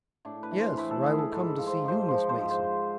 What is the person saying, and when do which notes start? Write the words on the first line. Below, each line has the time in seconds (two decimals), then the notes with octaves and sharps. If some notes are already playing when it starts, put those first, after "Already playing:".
"Yes, or I will come to see you, Miss Mason."
0.25 A2 D4
0.43 B4
0.51 E3
0.60 C5
0.77 A2 B4
0.91 A4
1.05 E3 G#4
1.19 A4
1.32 G#2 A4
1.49 B4
1.58 F3
1.67 C5
1.84 G#2 C5
2.08 F3 C5
2.29 C5
2.38 G#2
2.50 C5